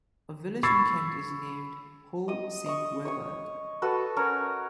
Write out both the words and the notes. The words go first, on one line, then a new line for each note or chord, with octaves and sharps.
A village in Kent is named Hoo Saint Werburgh.
B5 C#6 E6 G#6 A6 C7
D#5 D#6
D#5 C#6
C#5 C#6
F#4 A4 B4
C#4 A#4 C#5